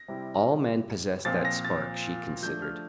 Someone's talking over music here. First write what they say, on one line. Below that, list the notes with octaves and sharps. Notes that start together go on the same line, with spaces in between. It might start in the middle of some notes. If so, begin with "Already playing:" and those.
All men possessed that spark, she considered....
Already playing: A#6
C3 G3 C4 E4
A#2 F3 C4 A6
A#6
A6
F3 A3 D4 G6
F6